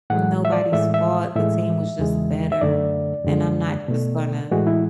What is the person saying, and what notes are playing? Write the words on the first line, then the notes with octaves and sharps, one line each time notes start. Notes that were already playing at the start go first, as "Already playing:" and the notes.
nobody's fault, the team was just better, then I'm not just gonna
A2 E3 G#3 F#5
E5
D5
A2 E3 G#3 E5
E5
A2 E3 G#3 E5
E2 C#3 E3 G#3
E5
F#2 D3 A3 D5
F#2 D3 G#3
B2 A3
A2 E3 G#3 F#4
E4